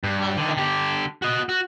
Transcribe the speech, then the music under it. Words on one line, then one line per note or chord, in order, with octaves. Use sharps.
Love that.
G2
D3 D#3
D3 G4
F#4 D#5
F#4